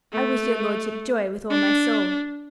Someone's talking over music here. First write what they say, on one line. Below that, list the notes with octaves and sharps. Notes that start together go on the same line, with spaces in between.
I wish your lordship joy with all my soul.
A3
D4